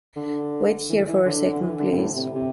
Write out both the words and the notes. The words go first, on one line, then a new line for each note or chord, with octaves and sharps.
Wait here for a second, please.
D3
E3
E3
D3
D3
E3
D3
C3
A2
C3
C3